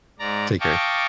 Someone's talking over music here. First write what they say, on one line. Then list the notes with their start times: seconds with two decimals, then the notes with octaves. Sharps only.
Take care.
0.19 G#2 D5 A#5
0.60 D#5 F5 G5 A5 C#6 D6